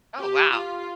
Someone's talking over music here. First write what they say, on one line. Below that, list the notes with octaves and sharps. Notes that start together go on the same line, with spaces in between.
Oh, wow.
G4
F4